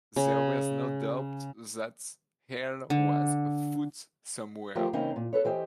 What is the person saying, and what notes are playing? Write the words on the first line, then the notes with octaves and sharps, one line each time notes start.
There was no doubt that hell was afoot somewhere.
C#3
D3
F3 A3 F4 G4 A#4 C5
C#3 E3 A#3 C4 C#4 D#4
A#2
A4 B4 C#5
E3 G4 C5 D#5